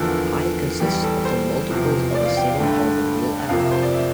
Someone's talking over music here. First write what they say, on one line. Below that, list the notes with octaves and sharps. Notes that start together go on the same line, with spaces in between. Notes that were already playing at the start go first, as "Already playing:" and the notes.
"I" consists of the multiples of a single polynomial "f".
Already playing: E2 D3 F3 A#3 A4
E2 E3 G3 G4
G4
A4
C5
E2 C3 F3
D5
F5
G5
F5
G2 D3 A3 G5
F2 C3 F3 A#3 F5
E5
C5
D5
E5